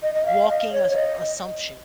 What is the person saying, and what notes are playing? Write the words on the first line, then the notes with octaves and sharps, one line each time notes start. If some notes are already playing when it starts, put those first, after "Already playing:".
walking assu assumption.
D#5
D#5
F5
D#5
C#5
C#5
D#5